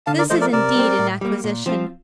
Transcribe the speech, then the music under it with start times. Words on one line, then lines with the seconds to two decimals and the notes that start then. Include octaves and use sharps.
This is indeed an acquisition.
0.07 D3 F5 A5
0.18 A#4 D5
0.30 F3 A3 C5 D#5
0.41 A#4 D5
0.53 C3 A#4 D5
0.75 G3 C4
0.99 A2
1.21 G3 A#3
1.44 A#2
1.66 F3 C4 F4